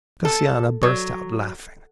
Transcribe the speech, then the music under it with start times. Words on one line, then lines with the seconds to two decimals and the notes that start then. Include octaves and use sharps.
Josiana burst out laughing.
0.25 A4
0.83 F#3